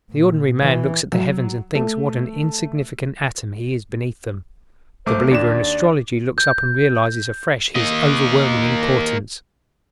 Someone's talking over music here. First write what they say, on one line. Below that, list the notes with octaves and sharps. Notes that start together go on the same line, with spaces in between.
The ordinary man looks at the heavens and thinks what an insignificant atom he is beneath them; the believer in astrology looks up and realizes afresh his overwhelming importance.
A#2
E3
F#3
A3
B1 A3 C5 D6
D#2 D4 D5 E7
G6
A#3 D#5